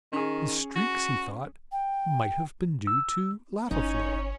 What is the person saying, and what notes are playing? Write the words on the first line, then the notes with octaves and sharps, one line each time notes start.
The streaks, he thought, might have been due to lava flow.
D#3 C#4 G#4
F#4
G5
E6
G1 C#4 D#4 C#5